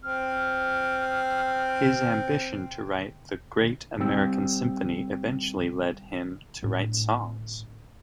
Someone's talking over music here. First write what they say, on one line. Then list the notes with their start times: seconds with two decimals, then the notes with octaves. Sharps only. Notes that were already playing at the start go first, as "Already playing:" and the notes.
His ambition to write the "great american symphony" eventually led him to write songs.
0.03 C4 F6
4.00 G3 C4 G5 E6
6.63 A2 D4